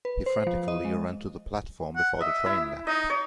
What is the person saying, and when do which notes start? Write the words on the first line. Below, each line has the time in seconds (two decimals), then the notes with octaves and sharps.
He frantically ran to the platform before the train left.
0.05 B4
0.26 C5
0.47 F3
0.68 D#5
0.85 G#3
1.96 F#5
2.21 D#5 E5
2.46 E4
2.87 D#4 D#5
3.10 C#5